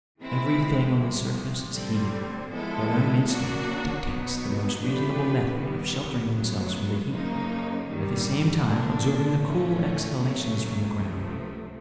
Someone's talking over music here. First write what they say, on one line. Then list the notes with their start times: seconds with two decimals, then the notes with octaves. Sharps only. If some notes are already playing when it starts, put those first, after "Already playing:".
Everything on the surface is heated; their own instinct dictates the most reasonable method of sheltering themselves from the heat, at the same time absorbing the cool exhalations from the ground.
0.20 E3 G#3 C4 E4
0.97 C2 C3 F3
1.74 D3 G3 C4
2.50 F3 G#3 B3 E4 A4
3.27 C#3 F#3 A#3 D4 F#4
4.04 B2 F#3 B3 D#4
4.80 F3 A3 D4 G4 B4
5.57 D#3 G3 B3
6.33 F#2 C#3 F#3 B3
7.10 F#2 C#3 F3 A#3 D#4
7.87 G2 D#3 G3
8.64 D3 F3 A#3 D4
9.40 A2 E3 A3 C#4
10.18 D#2 C#3 F#3 A3 C#4
10.94 C#2 C3 F3 A3